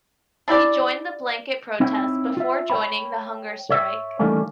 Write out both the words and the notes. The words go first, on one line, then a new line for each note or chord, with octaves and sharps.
He joined the blanket protest before joining the hunger strike.
D4 E4 G4 D5
C4 D#4 E4 C#5 G5
F4 E5
C#5 G5 B5
C#5 E5
D#3 E3 G3 A3 A#3 C#4